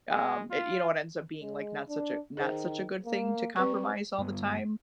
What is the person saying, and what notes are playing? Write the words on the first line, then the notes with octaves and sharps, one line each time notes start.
um, it you know, it ends up being, like, not such a not such a good thing to compromise all the time.
G#3
F4
G#3
D4
D#3 G#4 C5
A#3
G3 C4 B4 C#6
G2 G3 G#3 B3